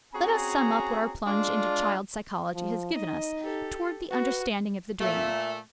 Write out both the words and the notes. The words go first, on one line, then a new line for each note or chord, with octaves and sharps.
Let us sum up what our plunge into child psychology has given us toward the understanding of the dream.
C4 C#4 F#4 G#4 G#5 A#5
G#3 D4 F4
F3
D#4 D#5
G4 A4
F#4 B4
A#2 A3 E5